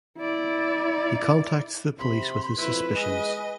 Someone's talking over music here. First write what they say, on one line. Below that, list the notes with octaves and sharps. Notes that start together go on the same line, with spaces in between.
He contacts the police with his suspicions.
E4 D5
C3 B5 C6
F2 E4 B4
G#3 D#5 G#5